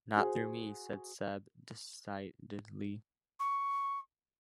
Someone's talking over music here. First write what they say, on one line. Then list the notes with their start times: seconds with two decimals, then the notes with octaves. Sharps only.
"Not through me," said Seb decidedly.
0.16 F#4 G#4 C5
3.39 C#6